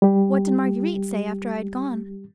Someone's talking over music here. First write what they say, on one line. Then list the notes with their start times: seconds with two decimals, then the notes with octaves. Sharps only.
"What did Marguerite say after I had gone?"
0.02 G3 G4